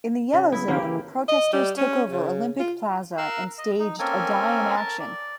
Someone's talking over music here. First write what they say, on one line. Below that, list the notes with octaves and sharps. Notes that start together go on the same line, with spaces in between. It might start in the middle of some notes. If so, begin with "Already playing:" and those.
In the yellow zone, protesters took over Olympic Plaza and staged a Die-In action.
C#3
B3 E4
D#3 A#3 C4 C#4 G4
E3
D#5
G3
C#4
C#3
F4
A#4 F5 E6 F#6
D#5
D#4
A#3 C4 C#4 A4 A#4 G#5
A#4 A5
D5